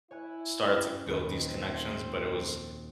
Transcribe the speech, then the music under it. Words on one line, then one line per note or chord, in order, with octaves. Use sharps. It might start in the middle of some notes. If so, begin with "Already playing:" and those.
started to build these connections, but it was
E4 C#5 G#5 F#6
C#4 G4 G5
D#2 A#2 B4
C4 F#4 C#5